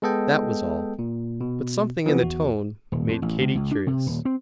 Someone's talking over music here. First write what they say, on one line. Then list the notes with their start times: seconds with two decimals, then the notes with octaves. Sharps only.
That was all; but something in the tone made Katy curious.
0.02 G#3 B3 A4 D#5 G5
0.99 A#2
1.41 B2
2.06 E3 F3 B3
2.22 E2 F#4
2.92 D#1
3.08 F2
3.22 A1
3.42 C#2
3.55 C#2
3.71 D4
3.87 C3
4.06 D#1
4.25 C4